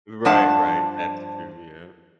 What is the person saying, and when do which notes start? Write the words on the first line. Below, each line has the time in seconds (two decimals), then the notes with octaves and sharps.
Right, right, that's true, yep.
0.25 G2 F3 D4 F#5 A5